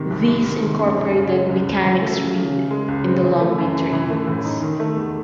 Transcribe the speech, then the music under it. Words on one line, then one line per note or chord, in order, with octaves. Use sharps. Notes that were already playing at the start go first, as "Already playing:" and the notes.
These incorporated mechanics read, in the long winter evenings.
Already playing: G#2 C3 D#3
C2
C2
D#3
G#3
F#2
F#2
C#3
G#3
C#2
C#2
E3
A3
C#3
C#3
C#3
G#3
C#2
C4
E3
A3
F#2
F#2
E3
A3
A2
D#4
D#3
A3
E2